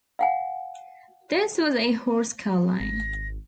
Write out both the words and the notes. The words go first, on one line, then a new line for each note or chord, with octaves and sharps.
This was a horse car line.
F5 F#5 G#5
G#1 A#6